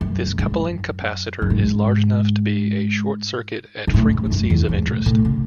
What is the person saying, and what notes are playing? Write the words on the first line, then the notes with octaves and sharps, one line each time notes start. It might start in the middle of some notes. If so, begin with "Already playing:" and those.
This coupling capacitor is large enough to be a short-circuit at frequencies of interest.
F#2
F#2
G#2
F#2
F#2
G#2
G#2
A2
G#2
G#2
F#2
E2
G#2
A2
A2
C#3